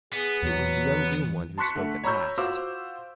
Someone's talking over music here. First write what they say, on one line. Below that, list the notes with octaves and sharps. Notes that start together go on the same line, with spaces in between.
It was the young green one who spoke at last.
B3 G#4
E2 F#3
A5 C6 C#6 F#6 B6 C#7
D3 A3
C#5 A#5 B5 C#6 E6 G6
F4 F#4 C5 F5 D6 E6